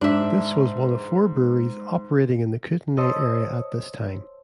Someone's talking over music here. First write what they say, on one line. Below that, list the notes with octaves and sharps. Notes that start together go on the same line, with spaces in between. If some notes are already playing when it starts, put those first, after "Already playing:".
This was one of four breweries operating in the Kootenay area at this time.
G#2 D4 E5
C5 C#5 D#5 A5 C6 E6